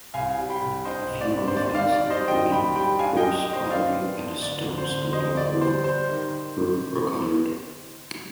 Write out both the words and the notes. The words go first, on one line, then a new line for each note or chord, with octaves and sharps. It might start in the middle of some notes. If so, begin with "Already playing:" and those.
A few artefacts including coarse pottery and a stone spindle whorl were recovered.
C2 F5 G#5
G3
G5 B5
C2
D4 C5 D#5
C2
D5
C3
C5
D#2 D5
D5 F5
D#3
D5
G3
C5 D#5
D#3 D#5 G5
D#2 G5 B5
G3 G5 B5
D4 F5 G#5
D#5 G5
D4
D#5 G5
D4
C5 D#5
D#3 D5 F5
B3
D4
D2 D5
D2
C5
D2
G3 C5 D#5
D2 D5
G3 C5
G3 C5
D#3